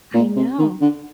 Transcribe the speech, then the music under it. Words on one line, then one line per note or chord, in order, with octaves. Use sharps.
I know.
A#2
C3
D#3
D3